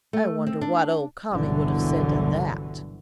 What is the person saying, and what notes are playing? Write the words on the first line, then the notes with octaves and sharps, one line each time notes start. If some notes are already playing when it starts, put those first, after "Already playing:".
I wonder what old Kami would have said to that.'
A3
C4
D4
G1 C2 B2 D3 E3 F#3